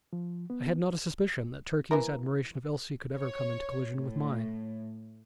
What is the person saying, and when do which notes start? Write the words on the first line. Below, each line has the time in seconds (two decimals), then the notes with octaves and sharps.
I had not a suspicion that Turkey's admiration of Elsie could ever come into collision with mine.
0.13 F3
0.50 B3
1.91 E3 A#3 A#4
3.18 C#5
3.96 A2